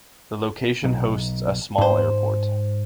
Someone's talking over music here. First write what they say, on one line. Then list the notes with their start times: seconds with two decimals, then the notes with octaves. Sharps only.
The location hosts a small airport.
0.84 B1
1.78 G#2 C5